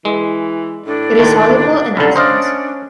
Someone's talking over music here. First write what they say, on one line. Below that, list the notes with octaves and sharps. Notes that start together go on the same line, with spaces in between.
It is soluble in acids.
E3 G#3
A2 D4
D2 D#3 A3
C2 D3 C#4 A4
D4 C5 D#5 F5